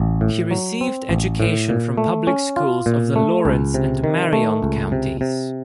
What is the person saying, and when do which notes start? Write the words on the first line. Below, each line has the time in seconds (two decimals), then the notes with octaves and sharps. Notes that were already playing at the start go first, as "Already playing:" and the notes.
He received education from public schools of the Lawrence and Marion counties.
Already playing: A1
0.21 A2
0.51 F#3
0.81 C4
1.09 A1
1.40 A2
1.69 A#2
1.98 A3
2.27 C#4
2.57 F4
2.86 A#2
3.16 A3
3.45 C#2
3.74 C3
4.04 D#3
4.33 A3
4.62 C#2
4.92 C3
5.21 C3